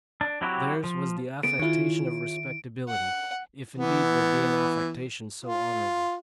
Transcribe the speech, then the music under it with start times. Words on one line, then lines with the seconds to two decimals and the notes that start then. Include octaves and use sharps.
Theirs was the affectation of respectability;--if indeed there be an affectation so honorable.
0.21 D4
0.41 F#3 C4 E4 F#4 G4
0.84 F3
1.43 C#3 B3 A4 D7
1.59 D#3 E4 F4 G#4 C#5
2.89 F#5
3.76 E3 B3
5.45 F4